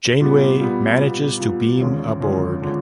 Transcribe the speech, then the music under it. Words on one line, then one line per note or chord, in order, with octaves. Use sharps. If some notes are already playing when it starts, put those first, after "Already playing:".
Janeway manages to beam aboard.
A#2 G3 B3
A#2 G3 B3
A#2 G3 B3
A#2 G3 B3
D#2 D3 F3 G#3 C#4
D#2 D3 F3 G#3 C#4
D3 F3 G#3 C#4